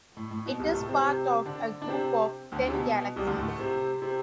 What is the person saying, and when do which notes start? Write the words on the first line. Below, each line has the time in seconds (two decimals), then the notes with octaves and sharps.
It is part of a group of ten galaxies.
0.17 A2
0.31 A2
0.46 B2
0.59 C2 C3
0.74 A2 A3
0.88 C3 C4
1.02 C3 C4
1.46 D3 D4
1.82 D4
1.88 C3 C4
2.52 D2 D3
2.68 C3
2.73 B2
3.16 C2 C3
3.27 D2 D3
3.38 A2 A3
3.48 A2 A3
3.59 C3 C4
4.02 C3 C4